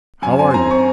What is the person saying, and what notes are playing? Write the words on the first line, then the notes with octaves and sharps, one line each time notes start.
"How are you?"
F#2 G#5
C4 G#5
C6
C4 A#5
C4 C#6